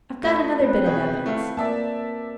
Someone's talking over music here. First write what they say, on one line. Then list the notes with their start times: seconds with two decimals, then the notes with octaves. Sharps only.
I've got another bit of evidence.
0.23 A3 F4 D#5
0.60 C4 B4
0.84 B2 G#4 G6
1.26 A3 E4 F5
1.57 A#3 D5 E5 A5